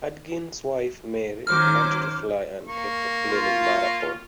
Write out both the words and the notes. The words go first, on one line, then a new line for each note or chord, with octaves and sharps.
Hudgins' wife Mary learned to fly and kept a plane in Marathon.
D#3 F#3 C#4 C5 D6 F6
A#3 C#6
F4